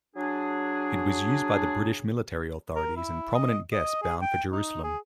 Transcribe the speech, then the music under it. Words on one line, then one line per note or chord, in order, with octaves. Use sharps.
It was used by the British military authorities and prominent guests bound for Jerusalem.
F#3 D4 G#4
A#4
E4
D#5
D#5
G#4
G5
D#4
G#4